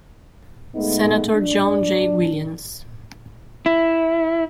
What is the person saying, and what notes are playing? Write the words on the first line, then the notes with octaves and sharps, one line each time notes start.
Senator John J. Williams.
G#3 A3 B3 D#4
D4
E4